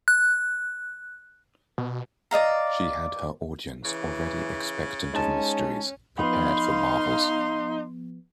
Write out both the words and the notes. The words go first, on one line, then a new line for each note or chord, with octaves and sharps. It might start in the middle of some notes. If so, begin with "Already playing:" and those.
She had her audience already expectant of mysteries, prepared for marvels.
F#6
B2
D5 D#5 F5 A#5
C#3 E3
G#3 C#4 D#4 A5
F3 B3 D#4 F5 B5 C6